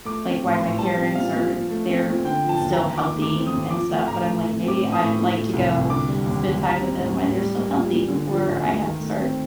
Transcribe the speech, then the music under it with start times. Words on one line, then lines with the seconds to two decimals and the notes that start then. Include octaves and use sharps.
like, while my parents are they're still healthy and stuff, but I'm like, maybe I'd like to go spend time with them while they're still healthy before I have to start
0.05 A3 D6
0.25 C4
0.43 A2
0.55 C6
0.60 A2
0.78 G3 A5
0.96 C4
1.15 A#2 F5
1.33 A#2
1.52 F3
1.70 A3
1.89 C4
2.07 A#2
2.25 D3 G5
2.44 F3
2.49 A5
2.61 D#2
2.73 A#5
2.80 D#2
2.97 D#3 D6
3.16 A3
3.22 D6
3.35 C4
3.47 D#6
3.52 D#2
3.70 F3 D6
3.89 A3
4.07 A2 A#5
4.26 A2
4.45 A3
4.62 C4
4.68 D6
4.80 A2
4.92 D#6
4.99 A2
5.16 A#2
5.35 A3
5.53 C2
5.72 C2
5.90 D3 D6
6.08 G3
6.26 D#2
6.45 D#2
6.63 G3 A#5
6.82 C4
7.00 A2
7.18 A2
7.36 G3
7.55 A#3
7.73 A#2
7.91 A#2
8.10 D3
8.27 F3
8.46 D2
8.64 D2
8.82 D#3
9.00 A3
9.19 C4